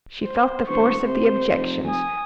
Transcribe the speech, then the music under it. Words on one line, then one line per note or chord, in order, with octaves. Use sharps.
She felt the force of the objections.
C5
E1 C5 C#6
C3 C5
F1
G#5 D#6